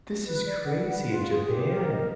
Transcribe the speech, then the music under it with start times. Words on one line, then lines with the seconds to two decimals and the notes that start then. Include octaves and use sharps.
This is crazy! In Japan?
0.25 B4
0.45 D5
0.65 F#5
0.86 B4
1.06 F4
1.26 G#4
1.46 G4
1.67 A#4
1.87 D#5